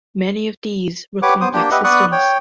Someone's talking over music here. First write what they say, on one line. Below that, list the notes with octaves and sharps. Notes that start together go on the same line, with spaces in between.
Many of these were complex systems.
G4 B4 C#5 F#5 D6
B3 C5 D#6
A#3 D4 G4 G5
G4 B4 D#5 E5 F#5
B3 B4 D5 C#6 D#6 F#6
C#5 G5